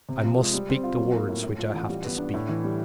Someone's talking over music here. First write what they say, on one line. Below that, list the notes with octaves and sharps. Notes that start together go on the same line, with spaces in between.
I must speak the words which I have to speak.
C3
F3
G#3
G3
C4
F4
F#3
A#3
A2
A2
F3
A1
G3
B3
D4
A2
E3
G3